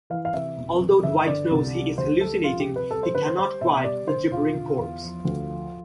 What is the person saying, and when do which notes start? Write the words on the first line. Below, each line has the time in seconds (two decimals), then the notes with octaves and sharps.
Although Dwight knows he is hallucinating, he cannot quiet the gibbering corpse.
0.10 E3 F5
0.25 F5
0.34 C3 E5
0.57 E1
0.80 C3
1.03 G1 E5
1.27 D3 D5
1.51 C2
1.74 G3
1.98 D2 C5
2.20 G3 A4
2.44 F3 F4
2.60 G4
2.67 C3
2.76 B4
2.91 G3 A4
3.03 C5
3.15 D3 B4
3.26 C5
3.37 G3 C5
3.61 B2 E5
3.84 G3 D5
4.08 D3 C5
4.31 E1 F4
4.55 D3
4.78 E2
5.02 F3
5.25 D2
5.48 F3